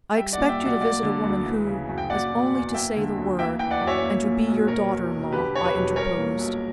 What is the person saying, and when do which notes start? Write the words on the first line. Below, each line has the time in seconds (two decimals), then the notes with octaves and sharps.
"I expect you to visit a woman who has only to say the word and to be your daughter-in-law," I interposed.
0.17 G3 E5 G5
0.33 D5 F#5
0.38 A#2
0.49 E5 G5
0.60 B1
0.65 D5 F#5
0.81 A#3 D5 F#5
1.03 D3
1.24 D2
1.46 E3
1.67 C#3
1.89 F#2
1.98 G5
2.10 A#3 D5 F#5
2.31 B2
2.53 E2
2.74 A#3 E5 G5
2.96 D3
3.17 D2
3.39 A#3 E5 G5
3.59 E3 G5
3.71 D5 F#5
3.81 F#2
3.87 C#5 E5
4.03 A#3
4.24 A#2
4.47 B1
4.67 B2 A#4 C#5
4.89 E2
5.11 E1
5.32 D3 G4 B4
5.53 E2 C#5
5.64 G4 B4
5.75 E1
5.96 G3 A#4 C#5
6.18 A#2
6.39 B1